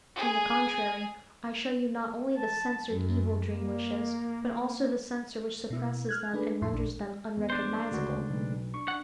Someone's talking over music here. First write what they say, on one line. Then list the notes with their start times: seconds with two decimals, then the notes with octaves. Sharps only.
On the contrary, I show you not only the censored evil dream-wishes, but also the censor which suppresses them and renders them unrecognizable.
0.16 G#4 G#5
2.38 A5
2.88 F#2
3.51 A#3
5.70 B2 E4
6.09 F6 F#6 G#6
6.34 A3 D4 G#4 B4
6.62 F2 A2 E4 C6
6.74 A#1 A#2 D4
7.37 E2
7.50 D4 C5
7.92 D2 C#3 G#3 A3 F#4
8.30 B1
8.74 D4 C#6
8.88 D4 F#5